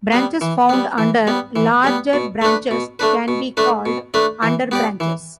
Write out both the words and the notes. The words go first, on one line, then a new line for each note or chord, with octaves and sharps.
Branches found under larger branches can be called underbranches.
G3 B3
E3
G3 B3
E3
G3 B3
E3
G3 B3
B2
A3 D4 B4
B2
A3 D4 B4
B2
A3 D4 B4
B2
A3 D4 B4
E3
B3 G4 D5
E3